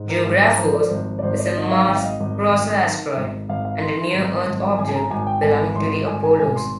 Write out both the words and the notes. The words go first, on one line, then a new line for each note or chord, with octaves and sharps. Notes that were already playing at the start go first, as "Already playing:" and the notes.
Geographos is a Mars-crosser asteroid and a near-Earth object belonging to the Apollos.
Already playing: G#2
A#4
G#1 G#4
A#4
F3 C5
D5
G#1 C5
D5
G#1 C5
D5
D#3 D#5
F5
G#1 G5
F5
D#5
G#1
G#1
D#3
G#1
G#1 F5
F5
D#3 C6
C6
G#1
G#1
G#1 G#5
G#5
A#5
G#1 G#5
G5
G#1 G#5
G#1 C6
G#1 G#5
G#5
G#1 G#5
C6